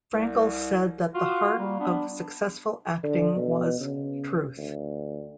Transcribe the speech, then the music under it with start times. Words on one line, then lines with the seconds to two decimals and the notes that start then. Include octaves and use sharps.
Frankel said that the heart of successful acting was, Truth.
0.14 C2
1.14 F4 F#4
1.58 G3 A#3
1.80 B3 D4
3.03 D3
3.36 B2
3.81 C#3
4.58 D2